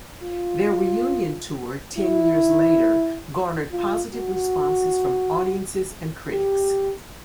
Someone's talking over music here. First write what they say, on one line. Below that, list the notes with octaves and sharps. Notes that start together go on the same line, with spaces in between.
Their reunion tour ten years later garnered positive responses from audiences and critics.
F4
E4
F4
F#4
G4